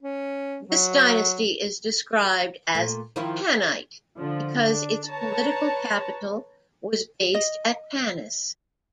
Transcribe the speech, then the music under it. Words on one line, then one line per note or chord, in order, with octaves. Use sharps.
This dynasty is described as 'Tanite' because its political capital was based at Tanis.
C#4
F#3
A#2 A3
D#3 F3 E4
D3 F3
D4
B4 C#5 A5 A#5
D#5